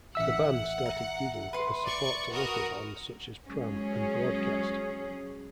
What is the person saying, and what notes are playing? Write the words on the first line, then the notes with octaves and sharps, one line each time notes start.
The band started gigging as support to local bands such as Pram and Broadcast.
A1 E5 F#5 E6
A#5
B4 C6
D5 C#6
F#4 A#4 D#6
F#3 G#3 C#4 G#4